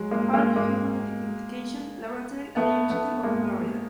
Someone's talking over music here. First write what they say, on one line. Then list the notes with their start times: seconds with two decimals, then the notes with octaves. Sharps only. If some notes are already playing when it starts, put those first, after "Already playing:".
Pound Human Identification Laboratory at the University of Florida.
Already playing: F#3 G#3
0.11 G#3 A#3
0.33 G#3 A#3
0.56 G#3 A#3
2.56 A3 B3
2.90 A3 B3
3.23 G#3 A#3